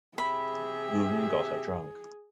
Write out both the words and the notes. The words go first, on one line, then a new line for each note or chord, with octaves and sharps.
Rhun got her drunk.
C3 G4 G#4 E5 B5